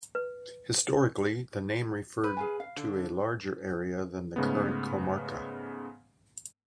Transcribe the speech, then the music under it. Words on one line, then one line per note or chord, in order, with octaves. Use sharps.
Historically, the name referred to a larger area than the current comarca.
B4
B4
G#4 F5 G#5
F5
D3
G#2 C#3 A3 B3